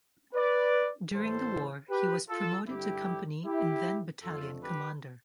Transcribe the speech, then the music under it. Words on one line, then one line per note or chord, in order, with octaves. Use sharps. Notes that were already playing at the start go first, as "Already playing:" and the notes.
During the war he was promoted to company and then battalion commander.
B4 D5
A2 E3 G3 A4 C5
G4 B4
F4 A4
G2 D3 G3 E4 G4
E4 G4
F2 D3 A3 F4 A4
G4 B4